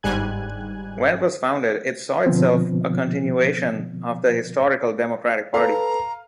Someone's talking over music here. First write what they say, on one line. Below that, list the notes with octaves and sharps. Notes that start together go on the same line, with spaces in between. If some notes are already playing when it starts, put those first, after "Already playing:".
When it was founded, it saw itself a continuation of the historical Democratic Party.
G1 G#2 G3 G#5 F#6 G#6
B2 D3 F3 B3 C4
A4 B4 F5 A#5